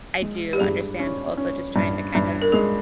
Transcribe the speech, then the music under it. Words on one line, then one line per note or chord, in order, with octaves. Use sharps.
I do understand also just trying to kind of
G#3
G4
G2 G#4
C#4
C#4
G2
G2
A#4
G#3 G#4